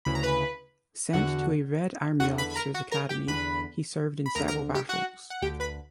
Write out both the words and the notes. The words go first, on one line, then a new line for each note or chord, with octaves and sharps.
Sent to a Red Army officer's academy, he served in several battles.
D2 C#3 E3 B5
A#5
B4 B5
E2 D3 F#4 F#5
E2 D3 F#4 F#5
B4 B5
B5
A#4 A#5
F#4 F#5
A#4 A#5
G4 G5
E2 D3 B4 B5
B5
D2 D3 A#4 A#5
A#4 A#5
G4 G5
F#4 F#5
F#5
D2 D3 G4 G5
B4 B5